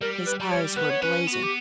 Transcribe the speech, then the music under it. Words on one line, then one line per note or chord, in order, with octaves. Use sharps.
His eyes were blazing.
G3 A#4
B4
G3
C#5
B3 B4
C#5
C#4 B4
B3
F#4
G4